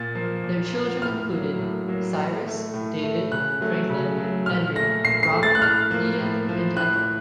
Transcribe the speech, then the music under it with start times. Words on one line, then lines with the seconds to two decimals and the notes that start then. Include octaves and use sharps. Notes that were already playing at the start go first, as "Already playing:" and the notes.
Their children included: Cyrus; David; Franklin; Henry; Robert; Edith; and Ethel.
Already playing: A#2 A6
0.15 F3 A#3
0.44 A#2
0.73 F3 A#3
1.02 A2 F6
1.30 F#3 A#3
1.59 A2
1.88 F#3 A#3
2.17 A2
2.45 A3
2.74 A2
3.03 A3
3.31 C#3 F#6
3.61 F#3 A3
3.90 C#3
4.18 F#3 A3
4.46 A#2 F6
4.76 A3 A#6
5.04 A#2 C7
5.23 C7
5.33 A3
5.43 A6
5.55 F#6
5.62 A2 F6
5.90 F3 A#3
6.19 A2
6.49 F3 A#3
6.76 A2 F#6